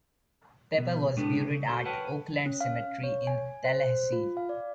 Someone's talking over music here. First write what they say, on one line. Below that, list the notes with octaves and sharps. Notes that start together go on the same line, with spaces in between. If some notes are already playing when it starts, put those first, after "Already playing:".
Pepper was buried at Oakland Cemetery in Tallahassee.
B2
A2 C3 G#3 A3 B3 D4
C#3
F#4 A4 C5
A#4 B4 C#5 F#5 G5 A5
C#4
F5
C#5
G#5
C5
F4
F5
D5